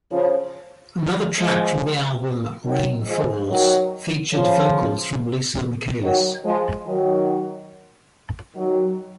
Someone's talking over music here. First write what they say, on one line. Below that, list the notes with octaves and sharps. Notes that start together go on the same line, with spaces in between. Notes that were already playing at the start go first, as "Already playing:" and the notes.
Another track from the album, "Rain Falls", featured vocals from Lisa Michaelis.
C#3 F3
F3 G#3
D#3 F#3
F3 G#3
D#3 F#3
C#3 F3
D#3 F#3
F3 G#3
D#3 F#3
D#3 F#3